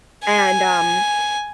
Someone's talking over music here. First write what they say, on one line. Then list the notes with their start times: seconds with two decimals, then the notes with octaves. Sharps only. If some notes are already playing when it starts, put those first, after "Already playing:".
and, um,
0.25 G#5